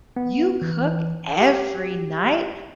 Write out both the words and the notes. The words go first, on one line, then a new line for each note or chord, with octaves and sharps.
"You cook every night?"
B3
E3
G4